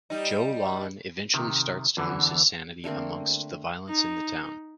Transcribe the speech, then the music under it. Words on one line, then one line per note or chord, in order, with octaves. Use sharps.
Joe Lon eventually starts to lose his sanity amongst the violence in the town.
G3 D#4
C3 D#3
E2 D3 E3
D3 A3 A#3 C4
D#4